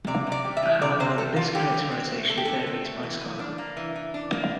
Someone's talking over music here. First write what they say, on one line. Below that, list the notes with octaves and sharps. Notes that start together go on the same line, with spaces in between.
However, this categorization varies by scholar.
C3 D5
C3
D5
G3
E5
E3
C3 D5
C3 C5
G3 A4
E3 F4
D3 G4
D3
C4
A3
D3 A4
G4
D3 A4
C4
A3
E3
E3
D4
A#3
E3
E3
D4
A#3